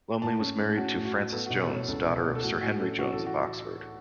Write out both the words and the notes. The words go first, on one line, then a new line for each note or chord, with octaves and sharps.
Lumley was married to Frances Jones, daughter of Sir Henry Jones of Oxford.
A2 A5
C#4
A3
C#4 F#4
A2
F#4
A2
B3 A4
B2 F#4
A4
B2 C#5
C#2 A4
B2
B2
A4
A2 F#4
A2 F#4
C#4 A4
C#4 F#4
E3 A4
F#4